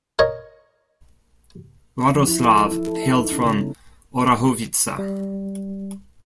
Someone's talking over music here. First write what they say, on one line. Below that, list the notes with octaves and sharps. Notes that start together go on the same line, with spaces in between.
Radoslav hailed from Orahovica.
A#4 C#5 D#5
F3
E4
A4
F3
E4
A4
E5
D#4
C#4
C#3
B3
G3